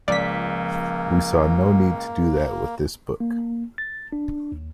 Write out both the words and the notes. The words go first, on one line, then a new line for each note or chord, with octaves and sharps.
We saw no need to do that with this book.
C#2 F3 A#3 D5 B6
A#3
A6
D4
D#2